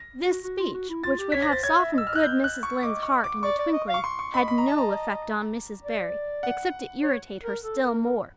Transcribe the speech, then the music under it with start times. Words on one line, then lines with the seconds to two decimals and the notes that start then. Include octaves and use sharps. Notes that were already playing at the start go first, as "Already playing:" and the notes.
This speech which would have softened good Mrs. Lynde's heart in a twinkling, had no effect on Mrs. Barry except to irritate her still more.
Already playing: A#6
0.24 F#4
0.44 F#4
0.59 F4
0.74 F#4
0.89 E4
1.04 F4 A6
1.19 G4
1.32 C#5 B6
1.42 A#6
1.49 C5 A6
1.63 C#5 G#6
1.79 E5
1.93 D#5 E6
2.07 D#5 F6
2.15 F#6
2.23 G6
2.44 F#6
2.63 C#6
2.83 D#5 D6
3.03 C#6
3.24 D6
3.43 D5 C#6
3.59 D5
3.73 D#5
3.89 F5
3.94 C#6
4.04 C6
4.19 C#6
4.33 D#5 B5
4.48 B5
4.58 A#5
4.68 A5
4.78 A#5
5.83 D5
6.43 F#5
7.03 C#5
7.43 A#4
7.63 A4
7.83 A#4
8.03 A#4